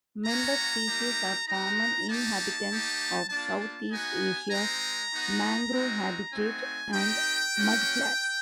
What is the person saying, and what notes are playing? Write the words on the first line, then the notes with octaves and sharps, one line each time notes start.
Member species are common inhabitants of Southeast Asia's mangrove habitat and mudflats.
A#3 C#4 F#4 A#5
G3 A#3 D#4 G4
C4 D#4 F#4 A#5
A#3 D#4 G4 A5
A#3 D#4 G4
A#3 D4 F4 A5
A5
B3 D#4 F#4 G#5
G#3 C4 D#4 A#5
B3 D#4 F#4
G#3 C4 D#4 F#4
A3 C4 D#4 F#4 G#5
C4 D#4 G4 G5
A#3 C#4 F#4